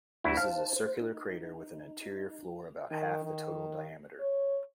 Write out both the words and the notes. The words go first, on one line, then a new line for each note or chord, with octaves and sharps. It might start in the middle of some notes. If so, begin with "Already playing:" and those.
This is a circular crater with an interior floor about half the total diameter.
D2 E4
D#4 C5 F5 A5
C5
D#4
D#3
D#3
C#5